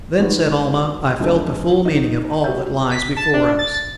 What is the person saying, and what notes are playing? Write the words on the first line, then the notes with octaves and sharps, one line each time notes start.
"Then," said Almah, "I felt the full meaning of all that lies before us."
F#3 G#3 D#4 F#4 B4
F1 C#2 D4 A#4
D#4
G3 F#4 E5 G6
B6
A5
D4
A6